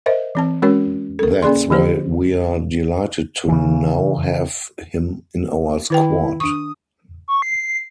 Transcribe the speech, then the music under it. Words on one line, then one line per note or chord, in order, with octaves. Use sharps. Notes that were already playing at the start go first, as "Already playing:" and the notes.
That's why we're delighted to now have him in our squad.
A#4 C5 D#5 E5
E3 C4 A5
G#3 C#4 F#4 A#4 C#5
A4 A#4
A#3 C#4 G#4 D5 C6
D3 F3 G4 C5
C#3 E3
D#3 E4 B4 G5
D4 C#6 D#6
C#6
C7